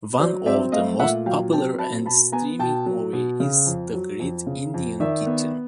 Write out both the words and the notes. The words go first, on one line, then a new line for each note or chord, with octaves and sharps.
One of the most popular and streaming movie is ‘The Great Indian Kitchen’.
F#3 C5 D5
C4 D5 E5
A3 D#5 F5
A#2 E5 F#5
F#3 F5 G5
C4 G5 A5
F#3 A5 B5
B2 A5 B5
B3 G#5 A#5
B2 G5 A5
F#3
B2
C#3
F2
F#3
F2
C#3
F2
D#3 D5 E5
B3